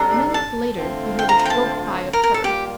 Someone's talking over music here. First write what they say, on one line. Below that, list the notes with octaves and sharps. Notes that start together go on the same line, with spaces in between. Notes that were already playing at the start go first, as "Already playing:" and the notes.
A minute later he heard a shrill cry of terror.
Already playing: C3 G3 D4 A4 A#5
A5
D3 A3 C4 F4
G5
A#5
A#5
G5
A5
A#4
A#4
A4
G3 A#3 F4 G4